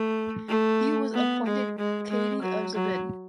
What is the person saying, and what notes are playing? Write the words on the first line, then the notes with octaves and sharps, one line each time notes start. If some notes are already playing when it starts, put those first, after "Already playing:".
He was appointed qadi of Zabid.
Already playing: A3
A3
B3
G#3
G#3
G#3
F#3
F#3